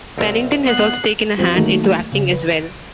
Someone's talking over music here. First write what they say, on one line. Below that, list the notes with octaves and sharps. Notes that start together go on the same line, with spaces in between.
Pennington has also taken a hand into acting as well.
C2 C4 A#4
B3 F#6 C7
F3 C4 F#4
D#3 F#3 A3 A#3 D#4
C#3
B4
D7